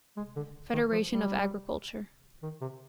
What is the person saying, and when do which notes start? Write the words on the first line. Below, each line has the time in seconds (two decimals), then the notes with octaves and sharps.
Federation of Agriculture.
0.17 G#3
0.36 D3
0.73 D#3
0.92 F3
1.11 G3
2.43 D#3
2.61 C3